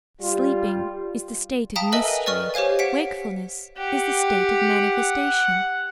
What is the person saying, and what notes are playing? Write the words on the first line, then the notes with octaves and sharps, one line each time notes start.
Sleeping is the state of mystery; wakefulness is the state of manifestation.
G3 F4
F5 G5 A5 A#5 D#6 B6
A4 B4 D#5 E5 G#5
A#4 G#5
B4 D5 D#5 C#6 F6
G4 C5 C#5 F5 G#5
F#5 B6 D7
G4 F#5